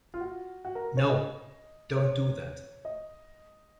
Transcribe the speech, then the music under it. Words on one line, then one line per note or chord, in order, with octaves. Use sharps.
No, don't do that.
F4
F#4
F#4
A#4
C#5
D#5
C#5
D#5